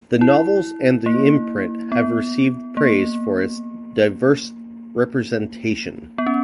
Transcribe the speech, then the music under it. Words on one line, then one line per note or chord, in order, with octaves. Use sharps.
The novels and the imprint have received praise for its diverse representation.
E4
A#3
B3
A#3
B3
C#4